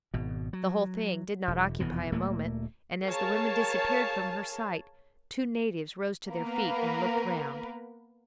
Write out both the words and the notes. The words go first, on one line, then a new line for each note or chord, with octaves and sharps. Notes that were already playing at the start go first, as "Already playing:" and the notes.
The whole thing did not occupy a moment, and as the women disappeared from her sight, two natives rose to their feet and looked round.
G#1 B2
F#3
E1
F1 E2 B2 E3
D1 A#2 A3 A#3
G#4 A#4 C#5 F5 G#5 A5
A#3 B3 A#4 B4